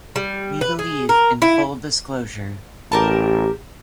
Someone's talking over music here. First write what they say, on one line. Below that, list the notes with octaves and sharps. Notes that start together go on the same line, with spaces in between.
We believe in full disclosure.
G3
B4
G#4
A#4
E4
A1 G4 A#4 A5